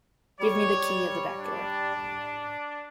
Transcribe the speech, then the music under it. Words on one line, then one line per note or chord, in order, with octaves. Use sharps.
Give me the key of the back door.
G3 C#5 D5
D4